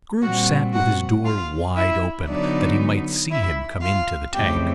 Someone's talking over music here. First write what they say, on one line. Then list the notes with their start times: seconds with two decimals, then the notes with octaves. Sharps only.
Scrooge sat with his door wide open, that he might see him come into the Tank.
0.22 A#2 G3 C4 F#4 F#5
0.73 F#4 F#5
1.25 F4 F5
1.76 E4 E5
2.28 D3 F#3 B3 D4 D#4 D5
3.31 E4 E5
3.82 F4 F5
4.34 F2 C#3 E3 A3 C4 G4 G5